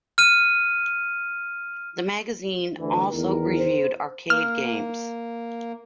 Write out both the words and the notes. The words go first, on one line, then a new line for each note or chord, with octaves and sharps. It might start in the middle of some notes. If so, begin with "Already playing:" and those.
The magazine also reviewed arcade games.
F6 D#7
D2 E3
E2 D#3 A#4
C5
A#3 F6